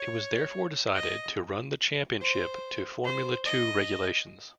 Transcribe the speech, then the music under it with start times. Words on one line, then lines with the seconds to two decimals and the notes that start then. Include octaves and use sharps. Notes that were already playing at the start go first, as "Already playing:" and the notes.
It was therefore decided to run the Championship to Formula Two regulations.
Already playing: C#5
0.95 D#5
2.21 C5
3.04 C5
3.46 D#5